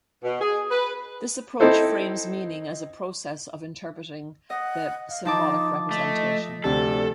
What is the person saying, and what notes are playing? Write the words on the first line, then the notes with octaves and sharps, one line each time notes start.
This approach frames 'meaning' as a process of interpreting the symbolic representation.
B2
G#4
B4
C4 D#4 E4 A4 C5
D#5 F#5
F5
F3 D#4 A5 D6
A3 D#5
D2 C3 G4 A4 D5